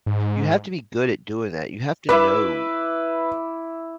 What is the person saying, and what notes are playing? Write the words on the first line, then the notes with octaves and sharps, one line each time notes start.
you have to be good at doing that, you have to know
G#2
E4 B4 E5 D6